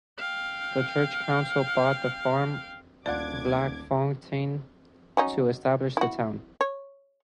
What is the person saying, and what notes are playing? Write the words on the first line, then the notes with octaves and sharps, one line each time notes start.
The church counsel bought the farm Vlakfontein to establish the town.
F5 G5
D#1 D2 D4 F4 D5 F#5 D6 G#6
F#3 C#4 D#4
E4 F#4
C#5